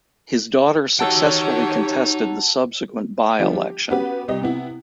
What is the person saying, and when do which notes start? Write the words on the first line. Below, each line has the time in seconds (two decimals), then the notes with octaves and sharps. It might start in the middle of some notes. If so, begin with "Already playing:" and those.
His daughter successfully contested the subsequent by-election.
0.99 D#4 F#4 G4 C#5 F#5 G5 A5 E6
3.39 D3 F3 G3 B3
3.54 G4
3.90 B3 C#4 F#4 G4 B4
4.28 C2 G3 D#5
4.42 C3 B3 E4